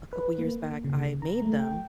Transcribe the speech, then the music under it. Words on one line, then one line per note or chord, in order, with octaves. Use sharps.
a couple years back, I made them,
B4
A#3
C#3
A#5
A3
G5